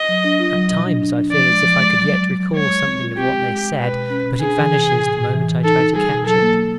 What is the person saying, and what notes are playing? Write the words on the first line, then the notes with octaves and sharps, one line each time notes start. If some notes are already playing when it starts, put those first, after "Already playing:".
At times I feel as if I could yet recall something of what they said, but it vanishes the moment I try to catch it.
Already playing: D#5
F#3
D4
F4
F#3
B2
D4
D4
D4
F3 D5
G#3
F3
G#3
F#3
F#3
F#3
F#3
G#3 C#5
G#3
C4
F4
C4 G4
G#3
G#3
G#3
B2 B4
B2
C#4
B2
D4 G#4
E3
C3
C3
A2
A2
E3
E3
D#4 A4
D#4
G3 G#4
B2
F#3 A4
A#3
A#3